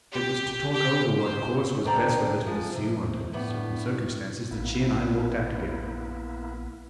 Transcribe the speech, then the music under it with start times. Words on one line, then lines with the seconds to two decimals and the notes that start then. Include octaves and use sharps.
It was to talk over what course was best for her to pursue under certain circumstances that she and I walked out together.
0.12 G4
0.72 G4
1.17 C5
1.85 D2 D4 D5 G5 A#5
2.47 F3 G#3
2.74 C3
3.33 A2 B3 D4
4.51 A#1 A#3 B3 E4